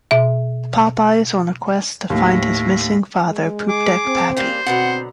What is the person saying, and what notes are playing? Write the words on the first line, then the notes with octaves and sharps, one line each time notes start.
Popeye is on a quest to find his missing father Poopdeck Pappy.
B2 E5
D#2 A2
G#3
G#4 D6
C4
C#3 G3 A#3 C5
B2 D3 F#3 C4 F#5